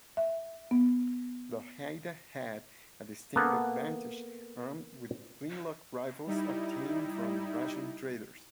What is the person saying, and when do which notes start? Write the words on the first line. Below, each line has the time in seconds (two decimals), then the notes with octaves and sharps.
The Haida had a distinct advantage, armed with flintlock rifles obtained from Russian traders.
0.17 E5
0.71 B3
3.36 A#3 B3 A4 F#5
6.27 G3 D#4 E4